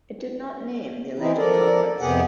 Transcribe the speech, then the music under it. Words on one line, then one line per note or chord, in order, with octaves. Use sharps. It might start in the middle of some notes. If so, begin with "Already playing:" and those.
It did not name the alleged culprits.
E3 C4 D#4 E4
F3 A4 A#4 D5
F2 C3 B3 G4 G#4 F#5